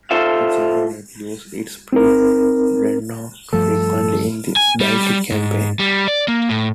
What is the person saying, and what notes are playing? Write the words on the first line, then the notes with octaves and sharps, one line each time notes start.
The German navy used its pre-dreadnoughts frequently in the Baltic campaign.
F4 A4 C5 E5 F5
C4 D#4 A#4
G2 F3 A3 A4
G#5
G3
G#2
G3
D5
A#3
A2